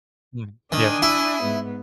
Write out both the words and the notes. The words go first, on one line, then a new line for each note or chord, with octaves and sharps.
Mhm, yeah.
D#3 D4 G#5 D#6
E4
G#2 B3